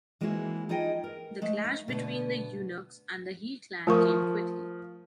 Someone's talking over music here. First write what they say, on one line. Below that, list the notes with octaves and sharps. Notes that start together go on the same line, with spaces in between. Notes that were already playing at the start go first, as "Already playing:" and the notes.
The clash between the eunuchs and the He clan came quickly.
E3 G#3 A#3 C4 E4 F#4
D#4 F4 G#4 D#5 G5 A5
A#4
G#3 A3
D#4 F5
B2 D3 A3 B3
F3 A3 A#4 C#6 D#6